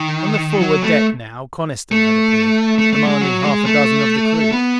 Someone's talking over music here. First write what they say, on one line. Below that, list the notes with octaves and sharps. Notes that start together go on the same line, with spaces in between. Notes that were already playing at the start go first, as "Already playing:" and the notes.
On the forward deck now Coniston had appeared, commanding half a dozen of the crew.
Already playing: D#3
F#3
A3
A3
A3
A3
G#3
F#3
G#3
A3
B3